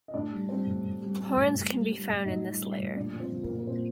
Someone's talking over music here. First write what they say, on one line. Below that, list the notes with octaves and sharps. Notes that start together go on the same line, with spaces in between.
Porins can be found in this layer.
D#5
A2 D4 D5
G3
G3 C4 C5
A2
A2
G3
G3
A2
A2
G3
G3
A2
A2 D#4 D#5
G3
G3
A2
A#2 D4 D5
F3
C4 C5
F3
A#3 A#4
A#2
A#4
A#2 C4 C5